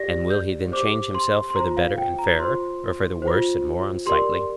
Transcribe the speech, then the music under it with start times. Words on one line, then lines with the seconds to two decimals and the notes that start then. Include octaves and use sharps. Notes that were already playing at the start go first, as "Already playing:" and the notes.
And will he then change himself for the better and fairer, or for the worse and more unsightly?
Already playing: G4 D5 A#6
0.30 G6
0.72 G4 C5 D6
1.15 C6
1.50 C6
1.56 F4 C5 A#5
1.77 F5
1.98 G5
2.19 A#5
2.39 F4 C5 C6
3.22 C5
3.27 F4
4.06 G4 A#4 D5 C6